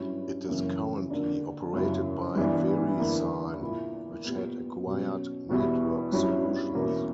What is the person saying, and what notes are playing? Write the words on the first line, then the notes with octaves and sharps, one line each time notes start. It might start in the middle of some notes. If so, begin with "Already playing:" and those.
It is currently operated by VeriSign, which had acquired Network Solutions.
Already playing: G2 F#3 C#4 E4
F#2 C#3 E3 A#3 C#4
D3 A#3 D4
F#2 C#3 F#3 C#4 E4
G2 E3 B3 D4
E2 D3 A#3 E4
A#2 A#3 E4
A#2 G3 B3
B2 F#3 C#4
E2 B2 G3 B3 E4
G2 F#3 C#4 E4
E2 B2 A#3 C#4 E4